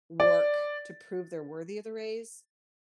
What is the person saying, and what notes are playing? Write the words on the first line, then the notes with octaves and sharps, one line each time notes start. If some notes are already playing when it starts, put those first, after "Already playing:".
work to prove they're worthy of the raise,
D5